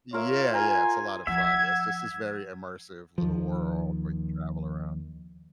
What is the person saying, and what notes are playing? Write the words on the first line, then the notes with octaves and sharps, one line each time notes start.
Yeah, yeah it's a lotta fun, yes, it's just this very immersive little world where you travel around.
F4 A#4 C#5 E5
F5 G#5 A#5
F3 E5 F#5 G#6
D#2 F3